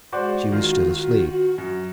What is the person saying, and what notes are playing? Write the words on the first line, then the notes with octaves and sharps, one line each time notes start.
She was still asleep.
G#3 F#4 C5 D5
D#3 F4 F#4
F#2